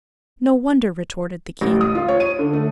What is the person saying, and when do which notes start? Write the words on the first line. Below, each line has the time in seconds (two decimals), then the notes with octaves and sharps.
"No wonder!" retorted the king.
1.61 A1
1.81 D#6
1.95 F4
2.08 C#5
2.20 D#7
2.39 D3
2.53 A3